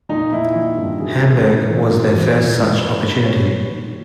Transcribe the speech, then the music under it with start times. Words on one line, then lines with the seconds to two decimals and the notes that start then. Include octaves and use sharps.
Hamburg was their first such opportunity.
0.09 A#2 D#4
0.32 A#2 E4
0.55 D#3
0.77 G2
0.99 B2 G#4
1.23 E2 A#4
1.44 C#3 A#4
1.67 E3
1.90 B2
2.13 E2
2.35 E3
2.57 G#2
2.80 A#2 B4
3.03 A#2 B4
3.25 A#2 C#5
3.48 A#2
3.70 D#3